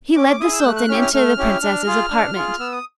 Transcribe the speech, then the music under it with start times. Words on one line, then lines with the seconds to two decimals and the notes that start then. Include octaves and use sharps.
He led the sultan into the princess's apartment.
0.16 C#4 D6
0.27 D6
0.40 E4 G#4 D#6
0.53 E6
0.60 G6
0.64 A3 F#6
0.76 F#6
0.89 C#4 E4 G4 F6
1.02 F6
1.13 A3 F6
1.38 C#4 E4 G4
1.63 D4
1.86 F4 G#4
2.11 D4
2.36 F4 G#4
2.59 B3 E6
2.72 D#6